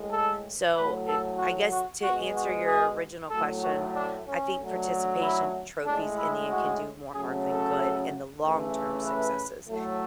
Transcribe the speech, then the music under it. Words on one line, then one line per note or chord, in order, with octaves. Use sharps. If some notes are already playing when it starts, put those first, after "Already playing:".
So, er, I guess to answer your original question, I think participation trophies in the end can do more harm than good in the long-term successes.
Already playing: A2 G#3
A4
A2 F#3 A3 B4
A4
F#4
F#4
B2 G#3 F#4
F#4
G#4
A2 F#3 A3 A4
F#4
D4
C#4
D3 F#3 A3
E4
A2 G#3 D4
E4
F#4
C#3 F#3 A3 G#4
A4
C#3 E3 A3
B4
A2 F#3 A3